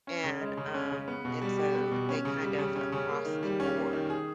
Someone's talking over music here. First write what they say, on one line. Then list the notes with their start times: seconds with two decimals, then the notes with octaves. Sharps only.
And, um, and so they kind of, across the board,
0.07 C#4
0.24 C#3
0.41 G#3
0.57 C#3
0.74 C#4
0.91 C#3
1.08 B3
1.25 B2
1.41 G3
1.58 G4
1.75 B3
1.91 B2
2.09 C#4
2.25 C#3
2.42 G3
2.59 C#3
2.76 C#4
2.92 C#3
3.09 A#3
3.25 D#3
3.43 G3
3.60 C#4
3.77 A#3
3.93 D#3
4.10 G#4